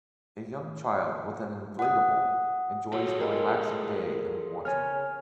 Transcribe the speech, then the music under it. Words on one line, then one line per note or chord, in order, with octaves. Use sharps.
A young child with an inflatable enjoys a relaxing day in the water.
F#5 D#6
F#3 G#4 A4 C5
G3 G#3 F4 A#4
C#3 C#4 G#5 F6